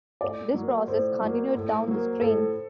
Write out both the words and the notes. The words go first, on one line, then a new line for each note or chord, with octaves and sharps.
This process continued down the screen.
A2 D5
F#3 A#3
A2 C5
F#3 A#3
A2
F#3 A#3
A2 A4